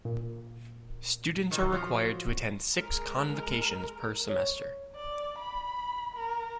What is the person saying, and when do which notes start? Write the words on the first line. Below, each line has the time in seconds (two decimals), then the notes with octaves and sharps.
Students are required to attend six convocations per semester.
0.05 A#2
1.51 D#3 F3 D#4
1.72 F3 F#3
2.77 G#3 A#4
4.29 C#5
4.96 D5
5.38 B5
6.14 A#4